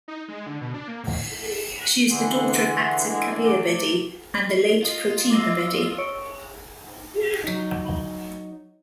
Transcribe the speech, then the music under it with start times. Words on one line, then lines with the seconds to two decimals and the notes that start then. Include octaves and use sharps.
She is the daughter of actor Kabir Bedi and the late Protima Bedi.
0.08 D#4
0.28 G#3
0.46 D3
0.61 B2
0.74 D4
0.88 A#3
1.04 A2
2.10 D3 E3 G#4 F#5 C6
3.07 G#3
3.44 C3 A3 D6
4.83 F4 D#5 C6
5.30 D#5 D6 E6 A#6 C7
5.98 C#5 C#6 D7
7.44 F#3 D#4